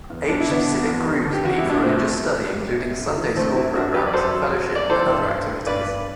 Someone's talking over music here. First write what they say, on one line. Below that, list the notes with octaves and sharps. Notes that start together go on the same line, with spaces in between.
Age-specific groups meet for religious study including Sunday school programs, fellowship, and other activities.
E2
G3 D4
E4
D3 B3 D4
D3
E2
G3
D3
G4
E2 F#4
E4
G3
D4
F#2 A3 C4
F#2
G3
G3
G3
F#2
F#2
E3
D3 A3 C4
F#2 C4 E4
F#2 D4 F#4
F#3 G4 B4
D5
F#2 A4 C5
F#3
F#3
F#2 D5
E3 A4 C5
G2
G2
G2
G2 B4 D5
G2